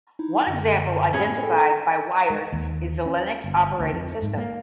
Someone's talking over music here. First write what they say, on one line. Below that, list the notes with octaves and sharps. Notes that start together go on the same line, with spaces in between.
One example identified by "Wired" is the Linux operating system.
D#4 E4
F#2 D3
A2 C#4 G#4
A4 G5
G#3
D#2
C#4
G1
D2
F2
G#2
A#3